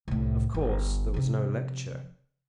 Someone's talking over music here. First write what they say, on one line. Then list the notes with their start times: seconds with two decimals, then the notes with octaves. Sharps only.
Of course there was no lecture.
0.08 C2 A2
0.54 G1
1.14 C3 F3